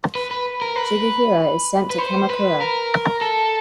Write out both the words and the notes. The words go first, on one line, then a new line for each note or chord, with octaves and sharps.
Shigehira is sent to Kamakura.
B4
B4
A#4
B4
B4
C5
B4
A#4
A4